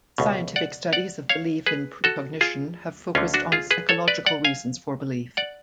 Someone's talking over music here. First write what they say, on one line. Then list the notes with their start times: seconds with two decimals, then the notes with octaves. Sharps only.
Scientific studies of belief in precognition have focused on psychological reasons for belief.
0.18 C#2 B2
0.56 D5 F#5
0.93 D5 F#5
1.29 C#5 F5
1.66 G#4 B4
2.04 F#4 A4
2.41 F4 G#4
3.15 D2 D3 C#4 F4
3.34 D4 F#4
3.52 F4 G#4
3.71 G#4 B4
3.89 A4 C#5
4.08 B4 D5
4.26 D5 F#5
4.45 F5 G#5
5.37 D5 F#5